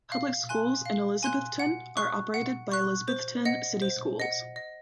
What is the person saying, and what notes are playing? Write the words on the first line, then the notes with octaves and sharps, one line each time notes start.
Public Schools in Elizabethton are operated by Elizabethton City Schools.
F5
G#5 C6 F#6
F5
G#5 C6 F#6
F#5
C#6 F#6
F#5
C#6 F#6
C5
D#5 F#5
C5
D#5 F#5
D#5